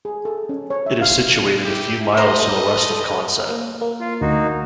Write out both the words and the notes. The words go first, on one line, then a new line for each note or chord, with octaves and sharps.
It is situated a few miles to the west of Consett.
G#4
A4
C#4
C#5
E5
F5
E4 G4
A4 B4 C5 D#5 A5 A#5
A#3
A#3
F4
D2 A#3 D#4 F#4